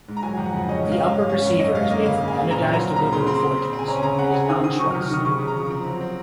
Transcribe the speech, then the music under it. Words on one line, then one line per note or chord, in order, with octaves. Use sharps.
The upper receiver is made from anodized aluminum forgings, and is non-stressed.
G#2
A#5
F#3 G#5
F2
F#5
C#3
C#4 D#5
G#2
F5
G#2
C#4
C#4
F#2
C#4 D#5
G#2 F5
A#3 D#5
C#3 F5
C#3
G#5
C4
A#2 A#5
F#3
A#5
A#2
C#3 A#5
C#3 C6
C4 C6
C4
C#3
C4
G#5
C#4 A#5
G#5
C#3 A#5
C#3 F#5
C4 G#5
D#3 D#6
D#3 D#6
F#3 C#6
F6
C3
F6
D#3 D#6
C#3 C#6
C#3
A#5
F3
C4
F#3
C4